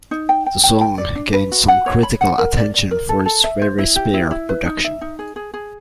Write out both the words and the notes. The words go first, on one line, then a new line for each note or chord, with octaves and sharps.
The song gained some critical attention for its very spare production.
D#4
G5
G5
G5
G5
D5
D4
B4
F#4
F#5
C#5
B5
F#5
A#4
D5
D5
A#4
A4
A4
E5
C5
E4
G4
E4
E4
B4
D#4
E5
D#4
G#4
G#4
G#4